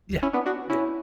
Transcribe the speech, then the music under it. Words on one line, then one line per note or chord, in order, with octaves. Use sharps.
Yeah, yeah,
C#4 E4
B3 D4
D4 F#4
C#4 E4